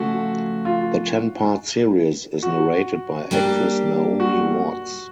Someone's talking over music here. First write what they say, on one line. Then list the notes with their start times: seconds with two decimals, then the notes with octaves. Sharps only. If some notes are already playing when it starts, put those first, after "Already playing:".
The ten part series is narrated by actress Naomi Watts.
Already playing: C#3 F3 A3 F#4
0.65 F4
2.43 F#4
3.31 G3 A#3 D4 G4
4.20 F#4